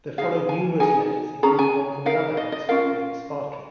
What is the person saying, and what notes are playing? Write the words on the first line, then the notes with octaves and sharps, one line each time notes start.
There followed numerous letters, including one from another hamster named Sparky.
D#4 G#4 F5
G#5
D#4 G#4 G#5
C#4 G#4 A#5
G#5
D#4 A#4 F5
D#5
D#5
C#4 F4 A#4 F5